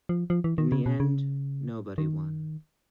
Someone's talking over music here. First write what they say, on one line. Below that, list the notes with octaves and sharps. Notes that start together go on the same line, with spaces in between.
In the end, nobody won.
F3
F3
E3
D#3
C#3
B2
C#3
D#3